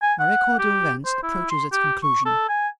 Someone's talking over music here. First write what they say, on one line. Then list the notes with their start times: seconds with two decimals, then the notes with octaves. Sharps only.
MY record of events approaches its conclusion.
0.02 G#5
0.20 F#5
0.59 G4
1.05 C5
1.23 E4
1.50 C6
1.72 G4
2.03 C#6
2.25 A4
2.49 G#5